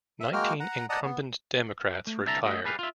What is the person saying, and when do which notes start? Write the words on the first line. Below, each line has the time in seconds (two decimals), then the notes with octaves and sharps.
Nineteen incumbent Democrats retired.
0.20 E5
0.33 G#3 A#3 F#4 A#4 G5 F6
0.60 F#5 A#5
0.90 D5 D#5 F#5 A5 A#5 D#6
1.04 B3
2.07 A3
2.26 C2 D3 E5 A5 A#5
2.43 A3 F#4 D#5 E5
2.65 G3 G#4 B4 F5
2.79 F4 E5